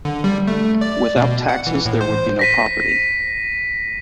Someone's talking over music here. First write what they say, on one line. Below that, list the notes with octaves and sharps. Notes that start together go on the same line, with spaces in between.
Without taxes there would be no property.
D3
G3
A3
D5
B2
F#5
E3
A2
C5
A#6 B6 D#7